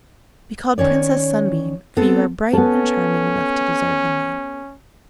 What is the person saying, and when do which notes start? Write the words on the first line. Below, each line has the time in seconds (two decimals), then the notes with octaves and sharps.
Be called Princess Sunbeam, for you are bright and charming enough to deserve the name.'
0.78 D#3 C#4 C#5 D5
1.97 B3 C4 A4
2.53 B3 C#4 A4